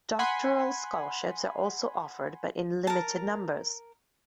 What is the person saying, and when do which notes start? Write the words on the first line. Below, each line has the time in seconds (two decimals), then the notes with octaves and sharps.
Doctoral scholarships are also offered but in limited numbers.
0.19 F#5 G#5 B5 C6
2.87 A#4 A5